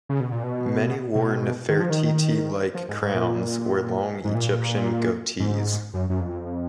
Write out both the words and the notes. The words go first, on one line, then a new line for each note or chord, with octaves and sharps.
Many wore Nefertiti-like crowns, or long Egyptian "goatees".
C#3
B2
A#2
B2
B2
D#3
F3
D#3
F3
G#2
G#2
A#2
G#2
A#2
G#2
F#2
F#2
F2